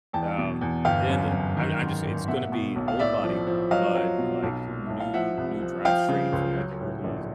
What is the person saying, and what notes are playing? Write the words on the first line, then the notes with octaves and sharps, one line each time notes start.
Um, and I'm I'm just it's gonna be old body, but, like, new new drivetrain from, like, a early,
E2 G5 A5
B2
E2
G1 F5 G5
F#2
F#2
D#3
G#2
G#1
B2 E5 F#5
B2
B1
F5
A2 D5 E5
F3
F3
F#3 D#5 F5
F#3
B2
B1
A#2
B1 E5
F5
F3 E5 F#5
C2
F3
F3 F5 G5
C#3
C#2
F#3
A2
A#1